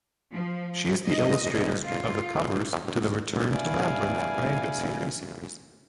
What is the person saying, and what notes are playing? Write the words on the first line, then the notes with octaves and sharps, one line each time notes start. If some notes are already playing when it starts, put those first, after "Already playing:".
She is the illustrator of the covers to the "Return to Labyrinth" manga series.
F3
D#5
F4
G2 B3 E4 D5 F5 G#5